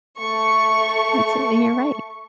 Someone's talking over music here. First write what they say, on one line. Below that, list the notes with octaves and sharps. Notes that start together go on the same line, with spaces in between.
that's it, and you're right.
A3 C#6